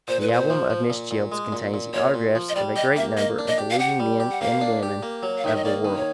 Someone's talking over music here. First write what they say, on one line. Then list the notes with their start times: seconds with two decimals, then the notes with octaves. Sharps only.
The album of Mrs. Childs contains the autographs of a great number of the leading men and women of the world.
0.08 A#2 C5
0.21 B4
0.29 A#2 C5
0.50 F3
0.70 F3
0.90 A#2
1.11 A#2
1.32 G#3
1.52 A#2
1.74 A#2
1.94 A#2 C#5
2.14 A#2
2.35 F3
2.49 D#5
2.55 G3 D5
2.76 G4 D#5
2.96 A#3 E5
3.17 A#3 D#5
3.38 D4
3.48 D#5
3.58 G4
3.71 F5
3.79 G4 F#5
4.00 G3
4.20 G4
4.31 F#5
4.41 A#3 F5
4.61 D4
4.83 G4
5.03 A#3
5.23 F#3
5.38 F5
5.44 D#3 E5
5.56 D#5
5.65 A#3 D5
5.85 D#3
5.96 C#5